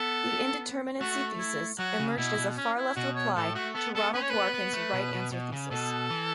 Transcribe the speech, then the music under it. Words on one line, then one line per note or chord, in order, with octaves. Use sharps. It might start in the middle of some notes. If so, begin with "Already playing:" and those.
The "indeterminacy thesis" emerged as a far-left reply to Ronald Dworkin's "right answer" thesis.
Already playing: B3 A4
A3 F#4
E4
F#3 F#4
C#3
B2 E4
B2
C#4
E4
B2 F#4
C#5
A2 A4
A3 F#4
B3 A4
B3 A4
C#4 B4
C#5
B3 B4
B3
A3
B2
B2
B2
C#3
B2 A4
E3